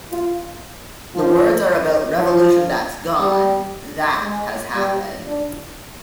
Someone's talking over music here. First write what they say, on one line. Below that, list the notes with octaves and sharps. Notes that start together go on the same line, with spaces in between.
The words are about revolution that's gone, that has happened.
F4
F3
F3
G3
G#3
G3
D4